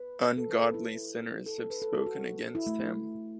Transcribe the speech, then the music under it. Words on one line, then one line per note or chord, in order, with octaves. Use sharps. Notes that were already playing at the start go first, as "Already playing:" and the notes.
Ungodly sinners have spoken against him.
Already playing: B4
A4
B4
A4
E4
A4
A4
B4
A4
A4
F#4
E4
A3
A3